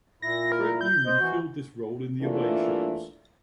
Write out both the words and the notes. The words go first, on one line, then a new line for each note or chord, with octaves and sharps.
Fred Newman filled this role in the away shows.
A#2 E4 A#6
A#4
G6
C5 D#5
E3 F#4
E3 A3 A#3 D4 F4